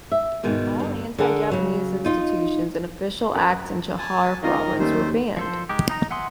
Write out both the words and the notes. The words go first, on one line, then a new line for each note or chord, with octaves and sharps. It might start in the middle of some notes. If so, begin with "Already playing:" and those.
All anti-Japanese institutions and official acts in Chahar Province were banned.
E5
G#2 B2 D#3 G#3
G2 D3
D3 G#4 A#4 F#5 A5
C#3 F#3
D#4 F4 D#5
F#2 B4
G#5 A5
D#3 C#4 D#4 F4 A#4 D#5
D#2 G3 A3 C#4 C5
F3 A4 C5
G#3 D#4 G4
D#4 D#5 A#5
E5 F#5 G#5 C6 D#6